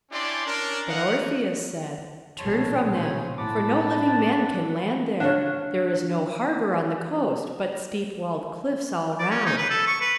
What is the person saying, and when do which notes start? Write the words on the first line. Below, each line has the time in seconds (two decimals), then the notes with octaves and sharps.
But Orpheus said: "Turn from them, for no living man can land there: there is no harbour on the coast, but steep-walled cliffs all round."
0.12 C#4 D4 E4 G4 D5 C6
0.46 C#4 D4 A#4
0.88 A#4 D#5 F5 F#5
2.39 A#1 B2 C#5 A5 C6
2.94 C5 C#5 G#5
3.38 A2 F#5 A5 B5 D6
3.85 D4
5.20 D4 C#5 F5 F#5
9.19 D5
9.31 C#4
9.46 D#4
9.58 B4
9.70 A4
9.87 C#6
10.01 B4